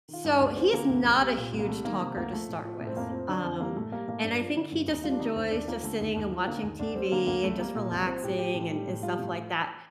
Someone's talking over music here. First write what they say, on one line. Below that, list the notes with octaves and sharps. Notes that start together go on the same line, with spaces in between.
So, he's not a huge talker to start with, um, and I think he just enjoys just sitting and watching TV and just relaxing and and stuff like that,
D#3 F4
G2 D#4
D2 D4
F3 C4
D3 A#3
D2
C2
G3
A#2
C2
A#3
G3 A3
D#3 A#3
C3 A#3
D2 A#3
F3 A3
A2
F3
A2
C4
F2 A#3
F3 C4
D3 D4
F2 C4
G3 A#3
A2 A3
G3 A#3
A2 A#3
G2 D4
F3
D3
G2
D#2 D#4
G3 F4
D4
D3 D#4
D#2 C4
D#2 D4
F3 A#3
D3 A3
D#2
D#2
F3
D3 A#3
D#2
D2 D4
G3 C4
D3 A#3
D2 A#3
C2 A3
G3 A#3
A#2
C2
F3 C4
A2 G4
F3 G4
A2
G3
A2
G3 F4
A2